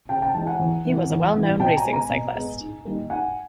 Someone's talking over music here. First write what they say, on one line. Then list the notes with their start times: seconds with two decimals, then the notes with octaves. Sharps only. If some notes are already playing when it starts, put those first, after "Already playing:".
He was a well-known racing cyclist.
0.09 C#3 G5 A5
0.22 G5 A5
0.34 E3 G#3 G5 A5
0.47 F#5 G#5
0.59 E2
0.85 C3 E3
1.10 E2
1.34 C3 E3
1.60 B2 G5 A5
1.77 G#5 A#5
1.85 G#3 B3
1.93 G#5 A#5
2.10 B2
2.35 G#3 B3
2.60 G#2
2.85 D#3 G3 A#3
3.10 G#2 F#5 G#5